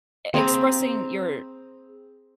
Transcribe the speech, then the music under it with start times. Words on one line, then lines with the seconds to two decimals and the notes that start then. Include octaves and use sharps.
e expressing your
0.34 C4 G#4 A#5 B5